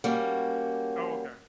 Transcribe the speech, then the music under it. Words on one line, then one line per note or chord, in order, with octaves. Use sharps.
Oh, okay.
G3 A#3 C#4 F#4